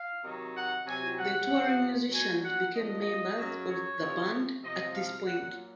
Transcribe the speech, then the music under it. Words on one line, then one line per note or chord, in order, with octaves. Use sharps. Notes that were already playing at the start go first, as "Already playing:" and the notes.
The touring musicians became members of the band at this point.
Already playing: F5
C3 D#3 F#3
F#5
C3 F#3 G#5
F#5
C3 F3
A#2 F#3 G#5
F#5
A#2 F3 D#5
F#2 C#3 F#3
C#5
C3 F3
C3 F3 D#5
F5
A#2 F#3 F#5